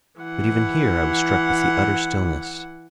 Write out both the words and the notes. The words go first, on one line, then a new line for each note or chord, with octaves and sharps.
But even here I was struck with the utter stillness.
E3 F#5